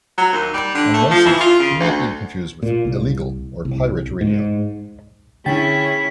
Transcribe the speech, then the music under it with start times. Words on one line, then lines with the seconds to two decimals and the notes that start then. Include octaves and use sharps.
"Unlicensed" should not be confused with "illegal" or pirate radio.
0.18 F#3
0.33 D#2
0.54 G3
0.75 D3
0.94 A3
1.11 F3
1.26 E3
1.40 F4
1.59 C#3
1.80 D2
2.63 A#2
2.85 C2
3.65 C2
4.21 G#2
5.46 D3 C#4 E4 G#4 G5 A6 B6